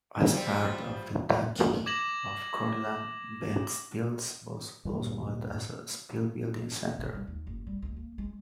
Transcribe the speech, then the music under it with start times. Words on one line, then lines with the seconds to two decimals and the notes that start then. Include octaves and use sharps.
As part of the Duchy of Courland, Ventspils blossomed as a shipbuilding centre.
0.33 F3 G3 C4
1.86 D6 G#6 A#6 E7 F#7
4.85 D2 G2 A#2 G3
6.84 E1
6.99 C#3
7.15 G3
7.27 D#2
7.47 F#1
7.67 G3
7.82 D2
7.96 A#3
8.18 G#3